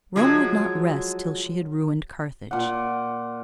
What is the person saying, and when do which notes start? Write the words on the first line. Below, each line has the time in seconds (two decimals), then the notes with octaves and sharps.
Rome would not rest till she had ruined Carthage.
0.16 F3 F#3 G#3
2.51 A#2 F#5